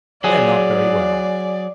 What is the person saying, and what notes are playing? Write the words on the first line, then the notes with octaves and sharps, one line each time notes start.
They're not very well off.
F#3 G#4 D5